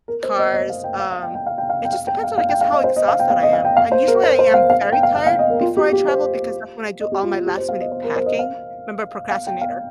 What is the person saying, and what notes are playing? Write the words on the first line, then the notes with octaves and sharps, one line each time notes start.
cars. Um, it just depends on, I guess, how exhausted I am. And usually I am very tired before I travel because that's when I do all my last minute packing. 'Member procrastinator.
A#4
C5
D#5
D#5
F5
G5
F5
F5
G5
G5
F5
G5
F5
G5
F5
G5
F5
F5
G5
F5
D#5
C5
D#5
F5
G5
F5
D#5
F5
G5
F5
C5
A#4
C5
C5
F5
F5
F5
G5
F5
F5
F5
D#5
A#4
F4
G4
G4
C5
D#5
G4
F4
F4
G4
C5
F5
D#5
C5
A#4
C5
D#5
F5
F5
G5
F5